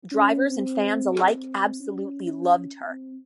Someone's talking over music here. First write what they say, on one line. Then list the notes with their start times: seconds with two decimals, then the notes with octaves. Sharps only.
Drivers and fans alike absolutely loved her.
0.12 C#4
0.44 C4
1.12 C4
1.80 C#4
2.81 C4